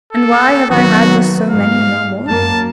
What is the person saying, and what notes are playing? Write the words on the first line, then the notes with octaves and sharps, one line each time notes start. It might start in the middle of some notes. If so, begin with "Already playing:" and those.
And why have I had just so many and no more?
A4
D#3 F#3 B3 F#4
G#2 F5
F#2 A#3 A5